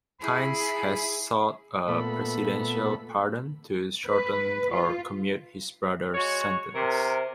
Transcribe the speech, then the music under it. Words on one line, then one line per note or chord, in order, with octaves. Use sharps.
Tynes has sought a presidential pardon to shorten or commute his brother's sentence.
E4 G#4 B5
A#2 A3 B3 A4 B5
B4
F4
G#3 F#4 C#5
C3 A#4